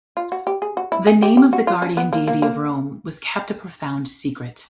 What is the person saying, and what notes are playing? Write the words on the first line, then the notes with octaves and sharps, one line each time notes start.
The name of the guardian deity of Rome was kept a profound secret.
F4
F#4
G4
G#4
F#4
E4
G#4
G4
G4
F#4
F4
C#4
B3
A#3
A#3
A#3